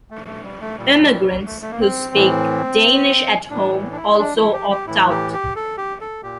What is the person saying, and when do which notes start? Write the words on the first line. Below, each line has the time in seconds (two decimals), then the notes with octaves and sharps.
Immigrants who speak Danish at home also opt out.
0.11 A3
0.27 A3
0.44 G3
0.61 A3
0.78 A#2 G3
1.46 A3
1.62 A3
1.71 A#3
1.81 C4
2.15 A2 E3
3.50 A2 E3 D4
3.92 D4
3.96 E4
4.18 D4
4.36 E4
4.53 G4
4.70 G4
4.87 A2 E3 E4
5.10 G4
5.33 G4
5.56 A4
5.77 G4
6.01 A4
6.23 A#2 G4